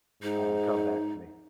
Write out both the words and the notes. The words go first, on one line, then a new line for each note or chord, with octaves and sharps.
um, come back to me.
G#2 D#4